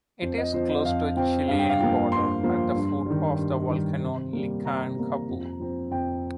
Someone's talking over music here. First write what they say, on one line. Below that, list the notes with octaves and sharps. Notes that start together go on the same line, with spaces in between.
It is close to the Chilean border, at the foot of the volcano Licancabur.
F2 C5
D#5
F3 C4 C5
D#5
F2 F5
F3 C4 G5
G2 F5
G5
F5
F3 A#3 G5
G2 C6
F3 A#3
G2
D#3 G3
G2
D#3 G3
C3
G3 A#3
C3 A#5
G3 A#3
F2
F3 C4
F2 G5